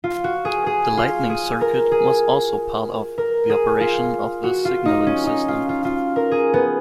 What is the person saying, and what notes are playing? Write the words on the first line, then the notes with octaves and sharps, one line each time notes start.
The lighting circuit was also part of the operation of the signalling system.
F4
F#4
G#4
G#4
F4
G#4
A#4
G#4
A#4
G#4
F4
F#4
F4
D#4
C#4
D#4
F4
F4
F4
A#4
G#4
B3